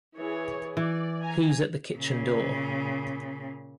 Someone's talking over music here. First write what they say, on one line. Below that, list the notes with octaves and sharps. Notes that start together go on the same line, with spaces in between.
Who's at the kitchen door?
E3 G#4 C#5
E3 D5
G#5 A#5
A#2 C#3